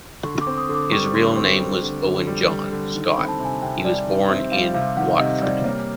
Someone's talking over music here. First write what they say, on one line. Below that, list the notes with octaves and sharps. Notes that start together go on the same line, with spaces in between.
His real name was Owen john Scott, he was born in Watford.
D3 C#6
D6
C4
D#6
D3
D6
G3 C#6
D3 C6
C4 C#6
G3
D3
D3
G3
G3
D3
D#3
B5
C4
A5
C3
G#5
C3 G5
G3 D5
D#3
C4 E5
G3 F5
C3 F5
D#3 F#5
C3 D#5
G3 D5
A#3 C#5